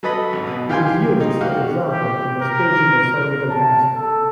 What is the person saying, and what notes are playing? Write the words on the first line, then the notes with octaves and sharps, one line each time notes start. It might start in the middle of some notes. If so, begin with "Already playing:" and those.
It is used, for example, in the staging of cervical cancer.
F#3 A4 B4 D#5 B5
G#1
B2
G4 F5 G5 G#5 C6
D#4
F#4 G4 F5
G4
A#4
A5
A4